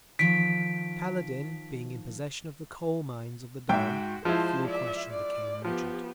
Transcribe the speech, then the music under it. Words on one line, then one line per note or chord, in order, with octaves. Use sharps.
Kaledin being in possession of the coal-mines of the Don, the fuel question became urgent.
D#3 F3 B6 D7
G#2 F#4 E5 G5
F3 G#3 E4 C5 A5
D5 E5
D5
F3 B3 G4